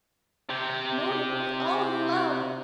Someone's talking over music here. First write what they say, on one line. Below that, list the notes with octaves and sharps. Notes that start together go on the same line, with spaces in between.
Mona, my own love.
C3 G4